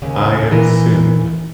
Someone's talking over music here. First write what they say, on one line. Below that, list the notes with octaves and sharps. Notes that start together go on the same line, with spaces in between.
I have sinned.
D#2 C#3
A#2 E3 A#4